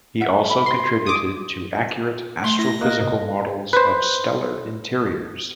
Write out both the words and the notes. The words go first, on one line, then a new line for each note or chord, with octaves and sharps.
He also contributed to accurate astrophysical models of stellar interiors.
E5 F#5
E5 B5
C6
D6 D#6
A3 C6
E4 A#6
A#3 F#4 D#5 F#6
G#2 C3 D#5
B4 C5